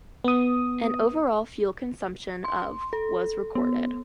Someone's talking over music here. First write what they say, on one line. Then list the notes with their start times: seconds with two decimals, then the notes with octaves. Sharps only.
An "overall" fuel consumption of was recorded.
0.24 B3 D#6
2.44 C6
2.93 A4
3.55 B3